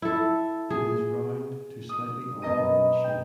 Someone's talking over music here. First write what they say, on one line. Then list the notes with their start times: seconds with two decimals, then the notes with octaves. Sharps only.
It is round to slightly oblong in shape.
0.02 E4 A4
0.70 G#4
1.89 D#6
2.42 B2 B3 D#5 A#5 D#7
3.01 G5 E7